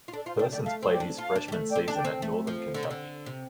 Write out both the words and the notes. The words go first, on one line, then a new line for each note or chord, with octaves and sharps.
Persons played his freshman season at Northern Kentucky.
F4
D4 A4 D5
F4 C5 F5
D4 D5 G5
A3 D5 G5
A3 F5 A5
C4 F5
D5 G5
D4
F4 F5 A5
D4
G3
A3
D5 G5
C4
D4 A5
D5 G5
C4
A3
F3
D3
C3
D3
C3